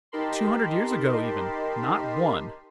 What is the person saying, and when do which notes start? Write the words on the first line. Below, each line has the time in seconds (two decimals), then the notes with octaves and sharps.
Two hundred years ago even--not one!
0.12 D#4 G4 A#4 A5 B5 C6